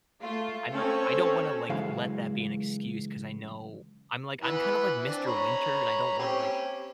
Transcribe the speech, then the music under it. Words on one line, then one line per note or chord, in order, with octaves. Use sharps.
and, uh, I don't wanna, like, let that be an excuse 'cause I know I'm, like, I'm kind of like Mr. Winter, and I don't wanna, like,
A3 F4
C4 C#4 A4 C#5
C#2 F#2 E3 G#3 F5
E3 B3 B4
C4 D4
C#5 A#5 B5
C4 C#4 G4